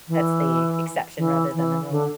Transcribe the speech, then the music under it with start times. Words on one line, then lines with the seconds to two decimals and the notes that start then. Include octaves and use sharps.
that's the exception rather than the rule.
0.08 E3
1.17 E3
1.54 E3
1.90 D3